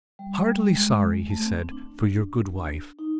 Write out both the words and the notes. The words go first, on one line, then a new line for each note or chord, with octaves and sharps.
'Heartily sorry,' he said, 'for your good wife.
G3
G3
G#3
G#3
A3
C4
C4
D4
D#4